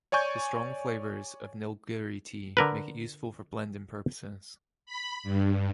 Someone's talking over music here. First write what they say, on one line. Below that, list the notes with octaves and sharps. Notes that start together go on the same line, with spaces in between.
The strong flavours of Nilgiri tea make it useful for blending purposes.
C#5 D5 G#5 C#6 G6 G#6
D3 A#4 B4
B5
G2